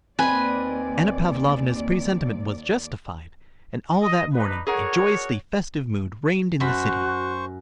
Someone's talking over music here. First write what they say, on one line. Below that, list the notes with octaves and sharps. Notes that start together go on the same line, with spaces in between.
Anna Pavlovna's presentiment was justified, and all that morning a joyously festive mood reigned in the city.
D#2 C4 B4 D5 D#5 G#5
D#5
D4 D#4 B4
D4 F#4 G#4 A#4 C#5 F#5
F#2 F#4 C5 B5 C#6